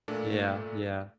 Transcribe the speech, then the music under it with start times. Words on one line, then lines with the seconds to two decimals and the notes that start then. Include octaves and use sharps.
Yeah, yeah.
0.08 A#2 A3 D4